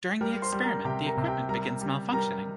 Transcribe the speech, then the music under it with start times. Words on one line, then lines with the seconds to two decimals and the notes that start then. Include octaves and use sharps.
During the experiment the equipment begins malfunctioning.
0.21 G3 A#4 A#5
0.42 C5 C6
0.52 G3
0.63 A#4 A#5
0.85 C3 G4 G5
1.06 A#4 A#5
1.17 C3
1.28 G4 G5
1.49 G3 A#4 A#5
1.81 G3
2.13 G3 A#4 A#5